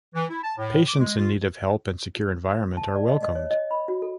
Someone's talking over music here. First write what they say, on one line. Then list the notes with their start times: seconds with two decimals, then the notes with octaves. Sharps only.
Patients in need of help and secure environment are welcomed.
0.15 E3
0.30 E4
0.43 A5
0.58 A2
0.88 D6
1.00 G#3
1.17 F4
2.77 A5
2.95 D5
3.08 D#5
3.23 D#5
3.35 C#5
3.51 D#5
3.71 B5
3.88 F#4
4.02 A4